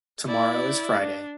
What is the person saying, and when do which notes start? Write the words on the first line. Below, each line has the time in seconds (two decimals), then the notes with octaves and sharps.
Tomorrow is Friday.
0.27 E4 D5
1.02 D4